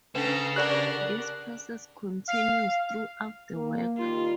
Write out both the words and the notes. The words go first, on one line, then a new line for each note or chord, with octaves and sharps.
This process continues throughout the work.
C#3 C#4 D4 A4 B4 A#5 E7
D4 G4 A#4 D5 F#5 F#6 F#7
F5
A#3
D#3 G3 F4